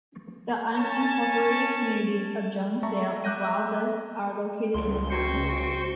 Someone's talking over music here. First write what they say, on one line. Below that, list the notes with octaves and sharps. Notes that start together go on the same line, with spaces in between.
The unincorporated communities of Jonesdale and Waldwick are located in the town.
C#4 A5
E5 A5 A#5 C#6
E5 D6 F#6 G6 A#6 D#7
C#2 C6
F#4 C5 G5 C6 C#7